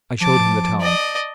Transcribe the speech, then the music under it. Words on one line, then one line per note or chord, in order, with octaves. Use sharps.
I showed him the towel.
F3 A5 D6
D5 D#5